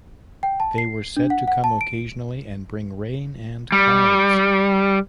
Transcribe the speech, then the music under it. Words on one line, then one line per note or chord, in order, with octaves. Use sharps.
They were said to come occasionally and bring rain and clouds.
G5
A5
C7
D4
F#5
F#5
A5
D7
G3